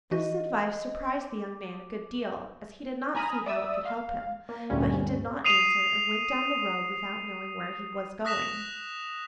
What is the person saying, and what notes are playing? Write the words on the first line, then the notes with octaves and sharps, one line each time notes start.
This advice surprised the young man a good deal, as he did not see how it could help him; but he did not answer, and went down the road without knowing where he was going.
E3 F#4 D#5
D6
G#5 A#5 B5 D#6 F6
D5 E5 D#6 E6
F5
A#3
D2 G2 A#2 G3 C#4
D#6 C7 D#7 F7
D#6 F#6 A#6 B6 E7 F7